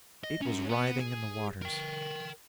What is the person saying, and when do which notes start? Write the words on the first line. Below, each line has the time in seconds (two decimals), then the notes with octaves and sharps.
It was writhing in the waters.
0.24 D#5
0.42 C#4 F#4
0.69 B3
1.00 G#4
1.62 A#4 G5